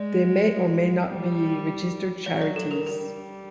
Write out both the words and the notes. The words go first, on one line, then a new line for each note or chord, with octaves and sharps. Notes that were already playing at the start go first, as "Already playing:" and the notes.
They may or may not be registered charities.
Already playing: G#3 D5
G3
F#3 C#5
D5
A4
A#4
G3 A#4